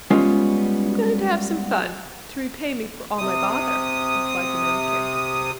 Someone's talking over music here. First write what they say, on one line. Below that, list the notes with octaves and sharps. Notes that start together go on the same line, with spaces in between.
"I'm going to have some fun, to repay me for all my bother," replied the Nome King.
G3 G#3 B3 C#4 F4
C3 D#6